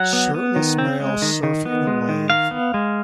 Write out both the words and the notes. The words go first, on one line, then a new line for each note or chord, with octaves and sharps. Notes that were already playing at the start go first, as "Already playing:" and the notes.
Shirtless male surfing a wave.
Already playing: F#3 F#5
B3
B3
D#3
C4
G#3
D#3
D#3
B3
G#3
D#3
D#3 F5
B3
G#3